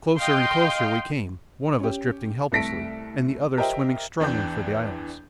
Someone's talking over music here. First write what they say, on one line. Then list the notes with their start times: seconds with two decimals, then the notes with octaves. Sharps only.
Closer and closer we came, one of us drifting helplessly, and the other swimming strongly for the islands.
0.19 D#5 F5 G5 C6
1.80 C#4 G4
2.52 C2 A3 A4 A#6 B6 D7
3.57 G4 A#4 C5 D#5 E5 G5
4.20 E2 E3 D4 G5 G6